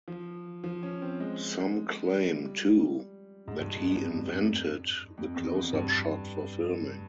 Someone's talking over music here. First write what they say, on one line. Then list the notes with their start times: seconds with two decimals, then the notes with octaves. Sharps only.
Some claim, too, that he "invented" the close-up shot for filming.
0.08 F3
0.64 F3
0.83 C#4
1.02 C4
1.20 G#3
2.34 G3
3.48 G#2
3.61 G2
3.76 F2
3.89 F2
4.04 F2
5.18 F2
5.35 E2
5.55 F2
5.73 G2